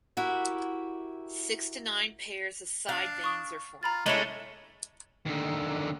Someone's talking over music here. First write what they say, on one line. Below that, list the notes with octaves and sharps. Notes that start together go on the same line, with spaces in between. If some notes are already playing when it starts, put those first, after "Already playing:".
Six to nine pairs of side veins are formed.
E4 F#4 G4 A#4 E5
D4 F5
C#6 D#6
F4 A#5 B5 A6
G#3 A3 C#4 D4 E4
D#2 D3